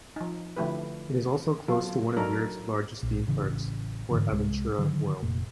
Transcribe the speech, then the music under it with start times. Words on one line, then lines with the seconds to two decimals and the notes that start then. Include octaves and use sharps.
It is also close to one of Europe's largest theme parks, PortAventura World.
0.16 F3 D#4
0.57 D3 F3 A3 E4 G4 B4
1.68 F#3 C4 F4 A4
2.17 F#3 D4 D#4 A4 A#4 C#5
3.03 A#1
3.27 A1 C#3 E3
4.11 G#2 B2 D3 E3
4.31 C2 G#3
4.78 D3 D#3 F#3
5.22 F1 A#2